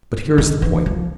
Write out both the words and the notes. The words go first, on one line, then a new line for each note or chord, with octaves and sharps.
But here is the point.
D#3
E3
F3